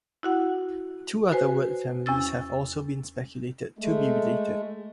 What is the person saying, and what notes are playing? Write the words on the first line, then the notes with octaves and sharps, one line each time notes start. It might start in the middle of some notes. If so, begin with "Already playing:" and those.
Two other word families have also been speculated to be related.
E4 F#4 F#5
F#4 B4 C5 G#5
E2 C#4 E6 A6
G#3 A3